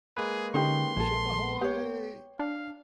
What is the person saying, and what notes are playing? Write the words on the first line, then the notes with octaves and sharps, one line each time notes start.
Ship Ahoy!
G#3 A#3 G#4 B4
D3 C#4 D#4 G4 C6
A#1 G#4 A4
B3 G4 C#5
D4 F5